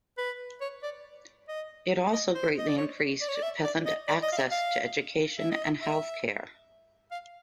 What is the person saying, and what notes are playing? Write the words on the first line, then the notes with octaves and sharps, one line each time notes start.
It also greatly increased peasant access to education and health care.
B4
C#5
D5
D#5
D#5
C5
D#5
D5
C#5
D5
C#5
D5
E5
D5
D#5
D5
D#5
F5
E5
F5
E5
D#5
E5
E5
F5